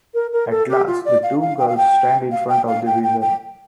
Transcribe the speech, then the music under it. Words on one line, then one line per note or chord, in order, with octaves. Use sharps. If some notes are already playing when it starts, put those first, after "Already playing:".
At last, the two girls stand in front of the Wizard.
A#4
A#4
A4
G4
F4
D5
F5
F5
G5
F5
G5
F5
G5
F5
G5
G5
G5